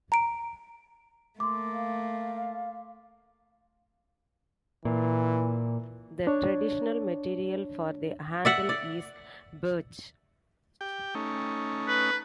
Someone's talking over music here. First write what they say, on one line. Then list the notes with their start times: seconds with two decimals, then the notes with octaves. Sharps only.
The traditional material for the handle is birch.
0.12 A#5 D7
1.40 A3 A#3 C6 D6
1.73 F5
4.85 A#2 E3
6.27 D4 C#5
8.45 D5 E5 F#5
8.69 D5
10.81 G4 G5
11.15 A3 C#4 D#4
11.88 B4